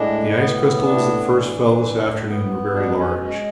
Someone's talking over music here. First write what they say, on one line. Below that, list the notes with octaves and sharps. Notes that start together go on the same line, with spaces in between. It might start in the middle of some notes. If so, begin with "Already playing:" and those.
The ice crystals that first fell this afternoon were very large.
Already playing: A2 G#3 D4
B3
A2 D4
E3
A2
B3
B2 D4
C#4
G#3 C#4